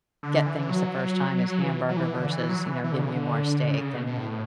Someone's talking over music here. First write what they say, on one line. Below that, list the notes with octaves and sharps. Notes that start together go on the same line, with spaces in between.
get things the first time as hamburger versus, you know, give you more steak, and
D3
E3
F#3
E3
F#3
E3
D3
E3
F#3
E3
E3
D3
C#3
D3
C#3
B2
B2
A2